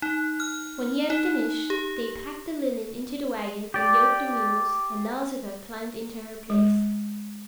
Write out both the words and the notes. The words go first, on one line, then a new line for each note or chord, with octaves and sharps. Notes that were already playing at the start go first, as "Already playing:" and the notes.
When he had finished, they packed the linen into the wagon, and yoked the mules, and Nausicaa climbed into her place.
D#4
F6
D#4
G4
G4 D5
G#3